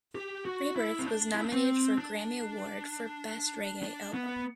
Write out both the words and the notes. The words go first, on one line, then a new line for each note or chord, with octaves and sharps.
"Rebirth" was nominated for a Grammy Award for 'Best Reggae Album'.
G4
F#4
E4
C4
D4
E4
D4
C4
D4
D4
B3